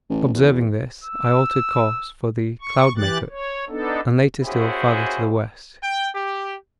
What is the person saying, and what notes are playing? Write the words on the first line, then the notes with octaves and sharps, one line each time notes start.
Observing this, I altered course for the 'Cloudmaker' and later still farther to the west.
A1
E2
E6
C#6
E3 G4 F#6 A6
C#5
B3 D4 D#4 A4
D#2 C#4 E4 F#4 G#4 C5
G5
G4